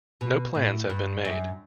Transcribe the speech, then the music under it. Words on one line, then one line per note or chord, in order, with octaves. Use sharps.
No plans have been made.
B2
A2
G2
F#2